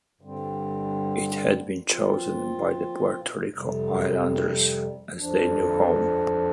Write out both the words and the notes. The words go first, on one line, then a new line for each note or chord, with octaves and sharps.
It had been chosen by the Puerto Rico Islanders as their new home.
G2 D3 G3 C4
A#2 F3 C4 F4
F2 C3 G3
F2 F3 D4